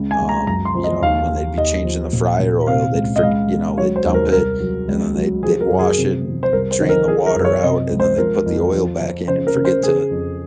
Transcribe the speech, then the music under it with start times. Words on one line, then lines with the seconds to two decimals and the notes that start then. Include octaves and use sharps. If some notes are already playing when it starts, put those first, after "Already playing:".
um, you know, when they'd be changing the fryer oil, they'd forg you know, they dump it and then they they'd wash it and drain the water out, and then they put the oil back in and forget to
Already playing: C#2 C#3
0.11 G#5
0.20 C#2
0.29 A#5
0.47 F#2 A#5
0.65 C6
0.75 F3
0.84 D#5
1.02 D#2 F5
1.29 D#2
1.57 D#2 D#5
1.85 F3
2.13 A#2
2.40 A#2
2.67 C3 F5
2.94 C#2
3.16 D#5
3.23 C#2 F5
3.50 C#2
3.78 F#3 C#5
3.96 C5
4.05 D#2
4.14 A#4
4.32 C2 A#4
4.60 F#3
4.88 C#2
5.15 F#3
5.43 F3 G#4
5.61 A#4
5.70 F#2
5.79 G#4
5.98 C3
6.26 C3
6.43 C5
6.52 C2 A#4
6.71 C5
6.80 D#3
6.89 A#4
7.08 F3 G#4
7.26 A#4
7.35 F#2
7.44 C#5
7.63 C3 D#5
7.91 C#2
8.00 C5
8.18 F3 A#4
8.46 F2
8.73 F3
9.01 F3
9.28 C#3 C5
9.47 A#4
9.55 C#3
9.65 C5
9.83 C#3 G#4
10.11 F2